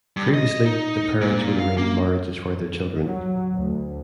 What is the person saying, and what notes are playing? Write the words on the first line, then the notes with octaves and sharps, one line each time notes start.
Previously, the parents would arrange marriages for their children.
G2
D#5
D#4
A#2
F5
A#3
F#3
D2